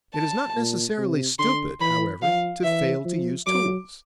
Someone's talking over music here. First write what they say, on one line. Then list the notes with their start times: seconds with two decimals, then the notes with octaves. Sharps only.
It is not necessarily stupid however, to fail to use tools.
0.15 A5
0.56 A#2
0.98 C3
1.39 D3 C6
1.81 E3 B5
2.22 F3 F5
2.63 E3 E5
3.05 F3
3.47 F#3 D6